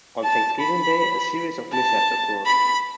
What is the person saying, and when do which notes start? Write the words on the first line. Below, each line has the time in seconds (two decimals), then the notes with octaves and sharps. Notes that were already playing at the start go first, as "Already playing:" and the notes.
On Thanksgiving Day, a series of mishaps occur.
0.24 A5
0.61 B5
1.72 A5
2.46 B5